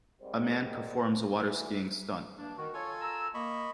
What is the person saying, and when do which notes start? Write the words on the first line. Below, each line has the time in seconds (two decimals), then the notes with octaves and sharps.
A man performs a waterskiing stunt.
0.22 G#2 G3 C4 A#4 C5
1.43 D2 E3
2.38 G2 A#3 D4
2.58 D#3 F#4
2.74 F4 A4 C#5 G#5
3.01 A#5 E6
3.34 A#3 D#5 B5 C#6